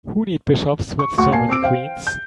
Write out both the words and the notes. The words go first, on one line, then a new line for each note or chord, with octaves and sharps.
Who need bishops with so many queens?
C#6
D2 F#4 F#5 C#6
A#1 A#2 A#3 G#5 A5 C7
C4 D6 E6 D7
C5 F5 G5
G6